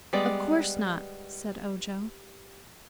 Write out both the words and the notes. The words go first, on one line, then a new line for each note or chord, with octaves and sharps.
"Of course not," said Ojo.
G3 G#3 B3 D5